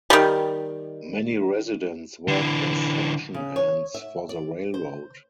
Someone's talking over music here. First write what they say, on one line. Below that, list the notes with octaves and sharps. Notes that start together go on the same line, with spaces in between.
Many residents worked as section hands for the railroad.
D#3 G3
D3 E3
C#3
C#5
E5
D5
C5